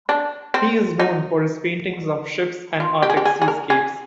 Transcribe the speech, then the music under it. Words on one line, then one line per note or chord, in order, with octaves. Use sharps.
He is known for his paintings of ships and Arctic seascapes.
D4
C4
D#4
F4
G4
G#4
G4
G#4
G#4
A#4
G#4